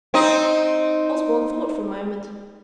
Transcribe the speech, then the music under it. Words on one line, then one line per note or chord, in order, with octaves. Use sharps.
Osborne thought for a moment.
C4 D#4 D#5